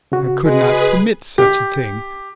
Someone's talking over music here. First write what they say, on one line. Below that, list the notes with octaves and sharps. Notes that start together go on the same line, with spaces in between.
I could not permit such a thing.
C#3 F#4
G#3 G#4 B4
G4